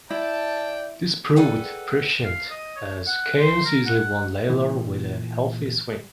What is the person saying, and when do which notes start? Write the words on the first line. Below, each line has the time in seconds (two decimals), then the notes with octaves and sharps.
This proved prescient, as Cairns easily won Lalor with a healthy swing.
0.10 E4 D5 G5 A5
1.36 G#4 A4 B4 D5 F#5 G5
2.24 F5
2.50 D#5
2.76 C#5
3.07 F#5
3.38 C5
3.65 A#4
3.86 F#5
4.50 A#2 E3